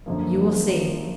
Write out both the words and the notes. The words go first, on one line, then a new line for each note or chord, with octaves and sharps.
"You will see."
F#2 D3 F3 A#3